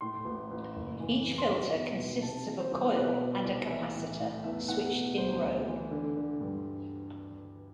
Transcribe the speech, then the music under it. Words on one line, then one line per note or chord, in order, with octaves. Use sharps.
Each filter consists of a coil and a capacitor switched in row.
A2 C6
A1
A1
F#1
E3
E2
C6
B1 B5
B2
B1
C3 A5
E3
C5
C2
B2 B4
B2
D5
C2
E3 E5
A2
A2
E2 E5
E2 F#5
B2
D2 C5
D2
E3
D3
D3
G2